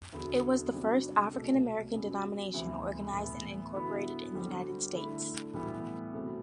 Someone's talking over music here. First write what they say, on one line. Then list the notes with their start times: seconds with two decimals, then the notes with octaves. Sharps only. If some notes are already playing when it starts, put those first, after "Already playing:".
It was the first African-American denomination organized and incorporated in the United States.
0.12 E2 D3 F#3 B3
0.73 C3 G3 D4 F#4
1.34 C2 B2 A3
1.94 F#2 F#3 B3
2.54 D2 C3 E3 G3 B3
3.13 A2 E3 B3
3.73 D3 F#3 B3 E4
4.33 D3 G3 C4 F#4
4.93 D3 A3 E4
5.54 A2 E3 G3 B3 E4
6.13 C3 F#3 A3